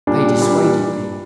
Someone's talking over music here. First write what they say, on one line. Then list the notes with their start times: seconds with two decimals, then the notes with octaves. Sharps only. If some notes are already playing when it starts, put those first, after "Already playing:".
They dissuaded me.
0.07 A#2 G3 D4
0.41 A#2 G3 D4